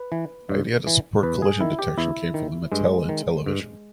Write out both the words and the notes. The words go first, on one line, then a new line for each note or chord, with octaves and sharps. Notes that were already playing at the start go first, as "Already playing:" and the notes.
The idea to support collision detection came from the Mattel Intellivision.
Already playing: B4
E3
G2
E3
E2 B4
G#4
D#3 E4
G4
E2 E4
D#3
G2 G#3
D#3
G2